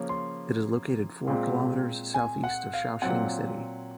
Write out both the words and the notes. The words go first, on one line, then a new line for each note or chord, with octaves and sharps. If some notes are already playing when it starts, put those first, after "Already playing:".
It is located four kilometers southeast of Shaoxing city.
Already playing: C#3 F3 A#3 C#4
C6
A#2 G#3 C4
G#5
F#5
F5
A#2 F#3 C4 F#5